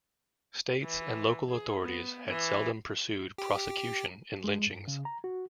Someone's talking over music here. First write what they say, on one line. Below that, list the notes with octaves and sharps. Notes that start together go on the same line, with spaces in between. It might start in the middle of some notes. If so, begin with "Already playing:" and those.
States and local authorities had seldom pursued prosecution in lynchings.
E3
G#4
B3
E3
G4
G#3
G2
C#3
A#5
F#4